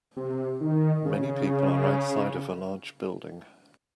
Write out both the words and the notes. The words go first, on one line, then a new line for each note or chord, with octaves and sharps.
Many people are outside of a large building.
C3
D#3
C#3